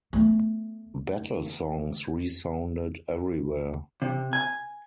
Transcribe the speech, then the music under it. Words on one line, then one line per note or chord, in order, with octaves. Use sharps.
Battle songs resounded everywhere.
A3 B3
C3
G#5